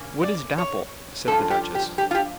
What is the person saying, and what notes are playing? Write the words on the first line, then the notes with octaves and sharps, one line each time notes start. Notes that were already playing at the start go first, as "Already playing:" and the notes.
"What is Dapple?" said the duchess.
Already playing: C#3 A#3 C#4
D5
C#5
G2 F3 C#4 F4 A4
G4
G4
G4
F4
G4